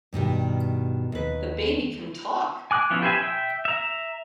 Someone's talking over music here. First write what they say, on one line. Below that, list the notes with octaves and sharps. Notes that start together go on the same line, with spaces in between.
The baby can TALK!
G2 B2 D#3 G3
D#2 B4
G#5 D6 F#6
F3 B3 C#4 E4 F4
G4 B4 C5 E5 G#5
E5 G5
E5 A#5